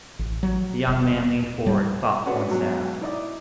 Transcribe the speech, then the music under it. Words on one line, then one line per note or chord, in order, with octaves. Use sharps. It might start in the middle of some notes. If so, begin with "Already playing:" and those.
The young man leaned forward, thoughtful and sad.
A1
F#3
D#1
G3
C#4 D4 F#4 G#4 B4 F#5
G#2 B2 F#3
D#4 E4 D5 D#5 D6